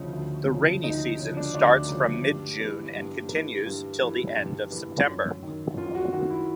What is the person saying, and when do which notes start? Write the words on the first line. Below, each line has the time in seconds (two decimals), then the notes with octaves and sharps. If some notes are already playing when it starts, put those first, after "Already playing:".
The rainy season starts from mid-June and continues till the end of September.
Already playing: D2 C#3 F3 D#4
0.13 D2
0.49 C#3 F3
0.83 D2 D#4
1.19 C#3 F3
1.37 D4
1.54 D2 D4
1.90 C#3 F3
2.25 G2
2.61 E3
2.96 G2
3.31 E3
3.66 G2
4.01 E3
4.36 G2
4.72 E3
5.07 F#2
5.43 D#3
5.77 F#2 F4
5.95 F#4
6.13 D#3 F#4
6.31 E4